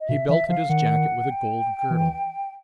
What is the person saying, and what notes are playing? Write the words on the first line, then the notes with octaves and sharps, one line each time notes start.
He belted his jacket with a gold girdle.
D#5
B2 E5
E3 E5
F3 F5
D#3 F#5
G5
E3